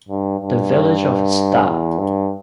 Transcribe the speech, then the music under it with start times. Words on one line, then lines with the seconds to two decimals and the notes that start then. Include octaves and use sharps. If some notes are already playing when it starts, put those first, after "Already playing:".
The village of Sta.
0.09 G2
0.40 G2
1.67 E2
1.99 G2